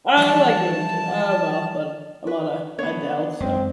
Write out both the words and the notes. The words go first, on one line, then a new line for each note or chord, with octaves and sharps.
I like gaming too, uh well, but I'm on a a Dell, so
E3 F3 G3 A3 A5
B4
B3 D4 C#5
F#2 G#3 C4